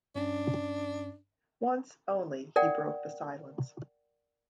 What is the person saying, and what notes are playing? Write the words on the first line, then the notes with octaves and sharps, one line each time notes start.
Once only he broke the silence.
G2 C#4 D4
A#4 D5 F#5 G5